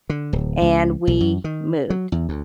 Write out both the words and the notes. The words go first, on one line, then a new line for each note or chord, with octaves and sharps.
and we moved.
D3
D1
C#2
B1
F#2
D#3
F#3
E2
D2